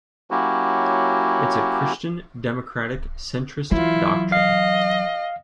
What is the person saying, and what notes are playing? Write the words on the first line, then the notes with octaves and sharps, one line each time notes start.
It's a christian-democratic centrist doctrine.
F#3 A#3 C#4 E4 F#4 G4
E3 F#3 E4 F4
D#5 F5